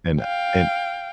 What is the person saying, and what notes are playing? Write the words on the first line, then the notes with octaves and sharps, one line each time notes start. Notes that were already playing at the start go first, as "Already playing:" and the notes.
And and
F5 G5